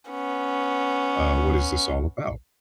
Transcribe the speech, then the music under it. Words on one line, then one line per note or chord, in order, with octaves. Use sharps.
uh, what is this all about?"
B3 C#4